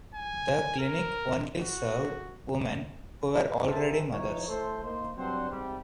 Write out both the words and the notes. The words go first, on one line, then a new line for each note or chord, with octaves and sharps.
The clinic only served women who were already mothers.
G#5
A#4
F#4
G#4 A#4 C5 E5 A5
E3 F3 D#4 C#5
A2 A3 A4 C5
A#3 D#4 C5
G2 F#3 C4 D4 C5 F#5
G#2 C3 G3